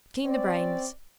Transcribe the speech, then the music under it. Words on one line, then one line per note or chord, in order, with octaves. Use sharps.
Clean the brains.
C3 C4 C#4 D5